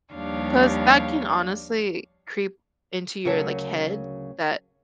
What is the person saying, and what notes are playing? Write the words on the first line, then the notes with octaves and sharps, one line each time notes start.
'Cause that can honestly creep into your, like, head that,
D#2 F3 G3 D4 C#5 F5
D2 C#3 F#3 A#4 C#5 A5